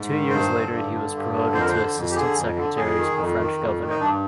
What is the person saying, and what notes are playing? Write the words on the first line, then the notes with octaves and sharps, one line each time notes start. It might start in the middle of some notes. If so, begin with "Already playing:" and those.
Two years later he was promoted to assistant secretary to the French governor.
Already playing: G#2
D#3
G2 C5
D3
G2
D3
G2
D3
F2 C5
A#4
C5
D3
F2
G4
D3 G#4
F2
D3
F2 G#4
D#3
F2
D#3
F2
D#3
D#4
G2 D4